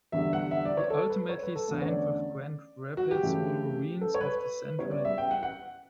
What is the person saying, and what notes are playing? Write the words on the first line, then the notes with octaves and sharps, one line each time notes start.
He ultimately signed with Grand Rapids Wolverines of the Central League.
E2 D3 G3 E5
F#5
E5
D5
C#5
A4
B4
C#5
B4
A4
E2 D3 A3 C#4
C#5
D5
F#4
G4
F#2 C#3 E3 A3
A4
C#5
B4
C#3 G3 B3 E4 C#5
D5
E5
G5
F#5
F#5